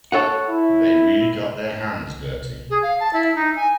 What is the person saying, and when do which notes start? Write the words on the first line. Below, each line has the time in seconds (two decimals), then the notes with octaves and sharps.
They really got their hands dirty.
0.12 A4 C#5 F#5
0.50 E4
2.70 G#4
2.83 F5
3.00 A5
3.13 E4
3.35 D#4
3.56 G#5